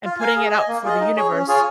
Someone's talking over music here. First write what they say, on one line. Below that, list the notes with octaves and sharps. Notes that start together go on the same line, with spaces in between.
and putting it out for the universe.
F4
A#4 F5 G#5
G#4
D#5 G#5
A#3
F4 G#4 D#5
D#4
G#4 C#5
C#4
F4 G#4 C#5 G#5